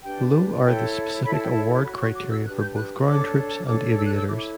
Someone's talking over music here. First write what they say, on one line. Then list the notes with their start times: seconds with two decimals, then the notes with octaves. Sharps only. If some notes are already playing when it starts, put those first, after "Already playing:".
Below are the specific award criteria for both ground troops and aviators.
0.03 D4 G4 B4 G5
0.64 E4 A4 C#5 G5
1.25 E4 A4 C#5 B5
1.34 A5
1.43 G5
1.51 A5
1.84 F#4 C#5 B5
2.00 C#6
2.15 D6
2.30 E6
2.46 D4 G4 B4 F#6
2.61 G6
2.75 F#6
3.05 D4 A4 C#5 D6
3.66 D4 A4 C#5 D6
3.97 E6
4.06 F#6
4.17 E6
4.27 E4 A4 C#5 D6
4.37 D6